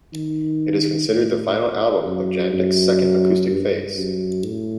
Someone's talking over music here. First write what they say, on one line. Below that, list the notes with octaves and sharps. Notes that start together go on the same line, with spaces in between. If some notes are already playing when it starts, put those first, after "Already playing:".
It is considered the final album of Jandek's "second acoustic phase".
D#3
A2
F#2
F#2
G2
F#2
A2